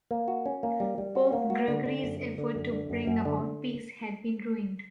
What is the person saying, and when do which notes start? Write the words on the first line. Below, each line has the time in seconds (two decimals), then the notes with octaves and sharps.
Pope Gregory's efforts to bring about peace had been ruined.
0.11 A#3
0.28 F#4
0.46 C#4
0.63 A#3
0.80 G3
0.98 G3
1.15 F#4
1.33 A#3
1.50 F#4
1.68 D3
1.86 D3
2.03 F#2
2.20 D3
2.38 D3
2.55 F#2
2.72 D3
2.90 F#2
3.07 F#2
3.25 D3
3.42 D3